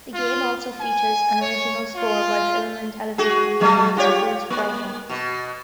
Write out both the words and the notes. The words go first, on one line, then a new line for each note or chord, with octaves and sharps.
The game also features an original score by film and television composer Bruce Broughton.
F4
G#5
C#5
F4
F#4 G#4
B2 F#3 A3
F4 G4 C#5
A#3
B2